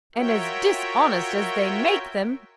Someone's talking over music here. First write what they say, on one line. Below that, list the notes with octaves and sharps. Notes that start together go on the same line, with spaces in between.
'And as dishonest as they make them.'
F4 F#4 A#4 C#5 E5 G5